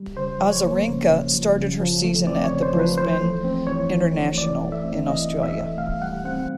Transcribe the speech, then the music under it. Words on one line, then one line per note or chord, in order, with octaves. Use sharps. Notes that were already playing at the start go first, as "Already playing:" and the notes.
Azarenka started her season at the Brisbane International in Australia.
Already playing: G3
C#3 C5
F3
C#5
A#3
C#3
C#3
F3
C#3
F3
A3
C4 D5
C#5
C#3
C5
F3
B4
E3 C5
A3
C4
E3 C#5
E3
A3
E3 D5
A3
E5
C4
E3 D#5
E3
E5
A3
B2 F5
G3 F#5
C4 F#5